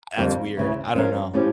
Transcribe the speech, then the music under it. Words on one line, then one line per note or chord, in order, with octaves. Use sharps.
that's weird. I don't know.
F2 D3 G3 A#3
D2 C#3 E3
F3 C#4 F4 A#4
A2 F3 C#4 G4